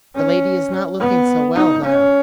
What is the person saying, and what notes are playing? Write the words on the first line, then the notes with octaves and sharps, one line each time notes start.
The lady is not looking so well, though.
C#4
B3
D#4
C#4